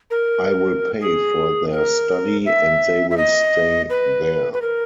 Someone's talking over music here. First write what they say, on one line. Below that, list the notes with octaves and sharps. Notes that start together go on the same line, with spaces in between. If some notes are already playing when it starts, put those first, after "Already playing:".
I will pay for their study, and they will stay there.
A#4
G#4
A#4
E5
E5
D#5
B4
B4
A#4